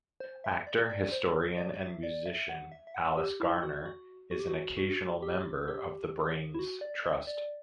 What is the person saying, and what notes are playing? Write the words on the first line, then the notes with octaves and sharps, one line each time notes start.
Actor, historian and musician Alice Garner is an occasional member of the Brains Trust.
C5
E5
D5
D5
C5
D5
D5
E5
D5
E5
F#5
E5
E5
F#5
G4
E4
F#4
F#4
F#4
G4
F#4
F#4
G4
G4
E4
F#4
D5
D5
E5
D5